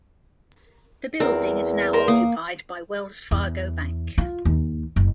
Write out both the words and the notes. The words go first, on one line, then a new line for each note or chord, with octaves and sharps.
The building is now occupied by Wells Fargo Bank.
E2 C4 A#4
A#4 C5
A#3 D#6
E2
F4
D#2
F#1